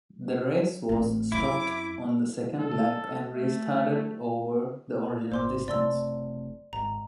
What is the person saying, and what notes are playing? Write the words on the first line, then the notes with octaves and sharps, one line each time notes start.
The race was stopped on the second lap and restarted over the original distance.
A1 C4
F#2 C4 E4 D6
A4
A3
G#1 C5 C6 D6
F#1 C3 A3 D5 C6 E6
G#1 G#2 A#5